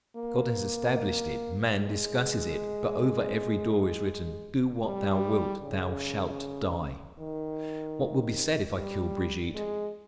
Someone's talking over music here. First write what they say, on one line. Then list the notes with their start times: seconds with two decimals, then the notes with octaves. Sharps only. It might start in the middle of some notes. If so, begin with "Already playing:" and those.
God has established it, man discusses it; but over every door is written: 'Do what thou wilt, thou shalt die.' What will be said if I kill Brigitte?
0.16 A#3
1.72 G#3
4.85 G3
5.63 C#3
7.19 D#3
8.75 G3
9.54 G#3